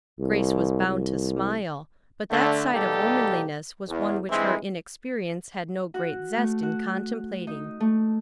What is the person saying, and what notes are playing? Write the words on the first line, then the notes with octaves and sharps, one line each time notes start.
Grace was bound to smile; but that side of womanliness was one which her inexperience had no great zest in contemplating.
C2
C2
D3 A3
B2 D#3 G3 A#3 G4 A4
E2
G2 E3 G#3 C4 E4
F#4
A3
F#4
D#4
A3